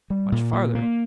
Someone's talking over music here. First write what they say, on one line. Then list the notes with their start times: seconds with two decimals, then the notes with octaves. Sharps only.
'Much farther!
0.10 G3
0.32 A#2
0.53 A#2
0.75 A#3